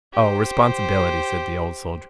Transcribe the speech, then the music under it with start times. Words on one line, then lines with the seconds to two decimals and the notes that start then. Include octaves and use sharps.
Responsibility!' said the Old Soldier.
0.13 G4 C5